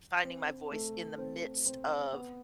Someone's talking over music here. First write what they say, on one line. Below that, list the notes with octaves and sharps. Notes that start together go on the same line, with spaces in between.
finding my voice in the midst of
C4
A3
C4
C4
B3